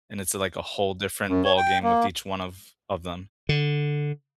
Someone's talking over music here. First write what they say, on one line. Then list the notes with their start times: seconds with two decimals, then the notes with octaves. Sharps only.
and it's, like, a whole different ballgame with each one of of them,
1.28 F#2
1.45 C#5
1.57 G5
1.83 A#3
3.49 D3